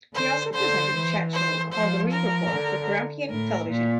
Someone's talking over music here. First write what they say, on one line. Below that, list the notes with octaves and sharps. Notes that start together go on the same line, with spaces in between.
He also presented a chat-show called the "Reid Report" for Grampian Television.
D3 C5
D3 C5
E3
C5
F3 C5
A#4
D3
A2 A#4
A#2